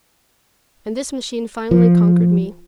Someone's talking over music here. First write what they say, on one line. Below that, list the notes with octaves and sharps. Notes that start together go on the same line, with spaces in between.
And this machine finally conquered me.
F3